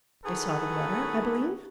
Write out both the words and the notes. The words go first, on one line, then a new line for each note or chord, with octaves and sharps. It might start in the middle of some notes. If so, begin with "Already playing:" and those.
"They saw the letter, I believe?"
D#3 E3 F#4 G#4 A4 B4